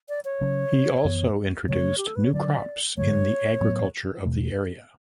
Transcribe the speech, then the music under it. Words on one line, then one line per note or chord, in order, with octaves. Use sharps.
He also introduced new crops in the agriculture of the area.
D5
C#5
C#3 F#3 C#4
F#2 E3 B3
C#3 F#3 A3 C#5
G4
A4
B4
C#5
D3 F#3 B3 D4 D5
G2 D3 F#3 A3 C#5
A2 F#3 B3
E2 B2 A3